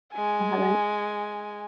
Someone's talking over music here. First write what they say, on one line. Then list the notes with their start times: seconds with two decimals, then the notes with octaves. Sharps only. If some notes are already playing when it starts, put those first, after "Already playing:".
I haven't.
0.13 G#3 G#5